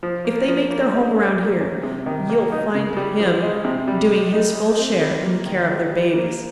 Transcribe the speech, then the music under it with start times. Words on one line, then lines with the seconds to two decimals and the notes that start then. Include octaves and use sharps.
If they make their home around here you'll find him doing his full share in the care of their babies.
0.03 F3
0.25 A#3
0.48 F3
0.71 A#3
0.93 G#3
1.16 C#4
1.38 A#3
1.61 C#4
1.83 C3
2.06 D#3
2.30 A#3
2.52 D#4
2.75 C#3
2.97 G3
3.20 F3
3.43 G#3
3.65 C3
3.87 G3
4.10 G#3
4.33 D#4
4.55 G#3
4.79 C4
5.00 G3
5.23 A#3
5.46 D#3
5.68 G#3
5.92 G3
6.14 A#3